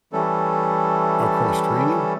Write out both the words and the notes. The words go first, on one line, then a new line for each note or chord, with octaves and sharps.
Oh, cross-training?
E3 G3 A3 C#4 A4